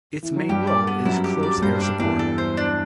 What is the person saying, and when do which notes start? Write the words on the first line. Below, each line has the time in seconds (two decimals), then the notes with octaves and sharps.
Its main role is close air support.
0.23 E3
0.36 F#3
0.49 G2 G3 G4
0.67 D5
0.87 B3
1.05 F#2 F#3 E4
1.24 G4
1.43 D5
1.62 G2 G3 C5
1.81 G2 G3 D4
2.00 E2 E3 D4
2.19 A4
2.38 C5
2.57 D4